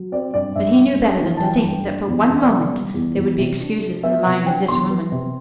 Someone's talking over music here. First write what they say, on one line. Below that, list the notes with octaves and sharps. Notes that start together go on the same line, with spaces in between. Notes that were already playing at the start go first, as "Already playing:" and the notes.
But he knew better than to think that for one moment they would be excuses in the mind of this woman.
Already playing: F#3
C4 D5
G2 D5
G2 E5
G2
D4
E3
A5
G3 G5
G2
D4
E2
E2
D5
B2
G3
E2
E2
C3
D4
F#3
B3 E5
C3 F#5
D4 G5
E2 C6
B3
C3